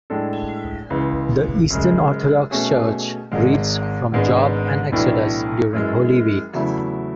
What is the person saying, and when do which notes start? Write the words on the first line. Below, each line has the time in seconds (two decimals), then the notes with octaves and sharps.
The Eastern Orthodox Church reads from Job and Exodus during Holy Week.
0.10 A2 G#3 D4 A4
0.90 C#2 C#3 E3 G#3
1.70 F#2 C#3 G#3
2.51 B2 A3 C#4 G#4
3.32 G#1 G#2 G#3
4.12 G#1 G#2 G#3 B3 D4
4.92 B1 A2 E3 A3 D4
5.73 F#2 E3 G#3
6.53 E2 C#3 F#3 A3 E4